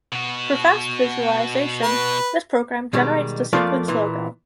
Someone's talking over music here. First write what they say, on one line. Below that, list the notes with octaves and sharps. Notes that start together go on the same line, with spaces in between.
For fast visualization, this program generates the sequence logo.
B2 F#4
B4
B2 D#3 G3 G#3
F2 F3 A3 A#3 F4 D5
A#2 E3